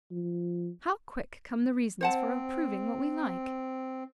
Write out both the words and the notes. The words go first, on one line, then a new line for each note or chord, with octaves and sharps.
How quick come the reasons for approving what we like!
F3
C4 C5 F#5 A5